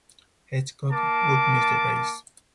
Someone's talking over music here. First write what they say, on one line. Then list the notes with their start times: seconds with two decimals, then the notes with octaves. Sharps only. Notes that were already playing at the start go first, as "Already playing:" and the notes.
Hedgecock would miss the race.
0.91 A#3 A5 D6